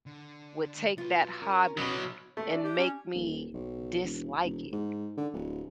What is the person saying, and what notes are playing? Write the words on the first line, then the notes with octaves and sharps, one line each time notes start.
would take that hobby and make me dislike it.
D3
F#3 F4 B4
C#4 A#4
B2 F#3 D4 E4 D#5 B5
A3
D4
G4
C#4
D#1
B1
E1
E1
G#2
D3
D1